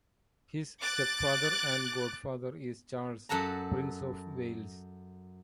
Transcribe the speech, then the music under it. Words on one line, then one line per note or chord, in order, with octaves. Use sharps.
His stepfather and godfather is Charles, Prince of Wales.
D6 F#6 A6
F#2 A4 F#5 A5 A#5